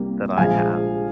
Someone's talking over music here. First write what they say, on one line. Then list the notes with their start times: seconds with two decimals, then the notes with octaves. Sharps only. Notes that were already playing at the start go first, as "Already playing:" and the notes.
that I have
Already playing: C2 C3 G3 A#3
0.37 A#1 A#2 F3 G#3 F5 G#5